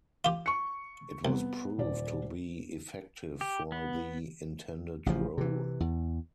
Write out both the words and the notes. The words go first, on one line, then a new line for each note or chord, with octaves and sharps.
It was proved to be effective for the intended role.
F4 G4
C#6 C#7
C2 B3
D#1 D5
G4
B3
A1 C#3 F3
C3 E3
E2